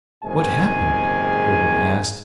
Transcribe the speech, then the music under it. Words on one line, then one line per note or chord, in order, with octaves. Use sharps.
"What happened?" Odin asked.
F#1 G#2 C3 D#3 G#4 G#5